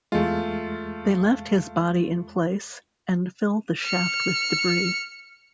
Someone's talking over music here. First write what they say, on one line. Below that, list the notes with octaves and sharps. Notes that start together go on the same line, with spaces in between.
They left his body in place and filled the shaft with debris.
E2 G#3 A3 F4
F6 C#7